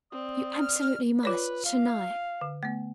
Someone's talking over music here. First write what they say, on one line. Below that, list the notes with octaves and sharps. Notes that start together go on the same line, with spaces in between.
You absolutely must, tonight!
C4 D5 D#6
F6
F4 B4 C#5 D5
F5
D3
A3 B3